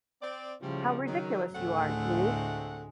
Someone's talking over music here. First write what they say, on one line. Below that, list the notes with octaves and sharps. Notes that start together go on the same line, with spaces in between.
How ridiculous you are, Dimi!
C4 D5
A2 C#3 F3 G3
D#3 F#3
D2 A2 G#3 A3 C4 F#5